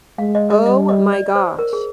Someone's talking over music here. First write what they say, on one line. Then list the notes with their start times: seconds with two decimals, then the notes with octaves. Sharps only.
Oh my gosh.
0.18 G#3 F5
0.35 D#5
0.50 D#5
0.65 G3 D#5
0.89 D#5
1.12 D5
1.35 C5
1.59 A#4
1.73 G#4